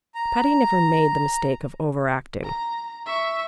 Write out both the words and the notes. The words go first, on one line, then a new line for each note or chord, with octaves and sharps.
Patty never made the mistake of over-acting.
A#5
A#5
E5 C#6